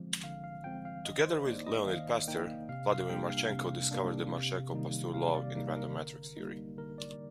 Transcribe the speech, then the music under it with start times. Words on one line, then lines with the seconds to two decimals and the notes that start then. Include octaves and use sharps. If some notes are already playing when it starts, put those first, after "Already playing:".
Together with Leonid Pastur, Vladimir Marchenko discovered the Marchenko-Pastur law in random matrix theory.
Already playing: D3 F3 G#3 C4
0.24 D3 F5
0.44 F5
0.64 F3 G#3 C4 G5
0.85 F5
1.05 D#3 D#5
1.25 C5
1.46 A#3 D#4 D5
1.67 D#5
1.87 D#3 F5
2.28 A#3 D#4 G5
2.69 C3 F5
2.89 F5
3.09 G3 A#3 D4 G5
3.30 F5
3.51 C3
3.91 G3 A#3 D4
4.32 C3
4.73 D#3 G3 A#3 D#4
5.14 C3 F5
5.35 D5
5.55 D#3 G3 A#3 D#4
5.76 A#4
5.96 D3
6.37 G3 A#3 D#4
6.78 D3 A#4
6.98 D5